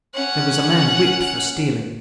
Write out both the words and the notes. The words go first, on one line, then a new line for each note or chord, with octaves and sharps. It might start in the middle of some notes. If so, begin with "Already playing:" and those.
Their was a man Whiped for Stealing.
C#4 F#5